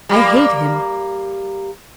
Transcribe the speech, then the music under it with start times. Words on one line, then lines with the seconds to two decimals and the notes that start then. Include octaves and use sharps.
"I hate him!"
0.09 G3 A#3